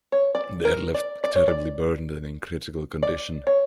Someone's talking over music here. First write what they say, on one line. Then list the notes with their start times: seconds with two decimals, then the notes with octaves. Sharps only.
They are left terribly burned and in critical condition.
0.12 C#5
0.35 D5
0.65 A#4
0.94 D5
1.24 D5
1.35 C#5
1.48 D5
3.03 D5
3.47 C#5